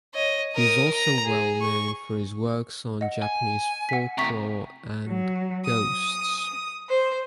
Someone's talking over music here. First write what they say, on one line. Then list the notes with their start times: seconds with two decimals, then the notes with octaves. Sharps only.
He is also well known for his works on Japanese folklore and ghosts.
0.15 C#5 D#5
0.55 A#4 D#6
0.94 A#5
1.25 G#4
1.61 C#6
3.01 D#5 F#5
3.22 G#5
3.89 F#5 B6
4.18 A2 C3 A#5 C#6 B6
5.07 F#3
5.65 D#6
6.89 C5